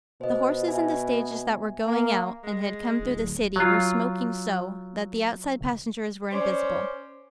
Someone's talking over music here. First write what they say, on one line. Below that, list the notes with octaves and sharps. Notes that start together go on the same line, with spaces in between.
The horses in the stages that were going out, and had come through the city, were smoking so, that the outside passengers were invisible.
B2 C5 D#5
E5 G#5
A#3
G#3
D1
F#3 F4
C#4 C5 D5